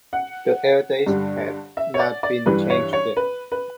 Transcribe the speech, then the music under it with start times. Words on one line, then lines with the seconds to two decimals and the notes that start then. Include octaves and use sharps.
The air dates have not been changed.
0.13 F#5
1.06 G2 D3 G3
1.77 E5
1.94 C#5
1.99 D5
2.23 D5
2.46 G2 E3 G3 B4
2.70 C#5
2.93 C#5
3.17 B4
3.52 B4